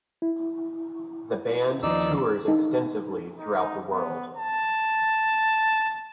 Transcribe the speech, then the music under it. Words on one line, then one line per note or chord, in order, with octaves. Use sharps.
The band tours extensively throughout the world.
E4
D#2 F3 D#4 D5 E6
D#4 A4
D#4
B3
A5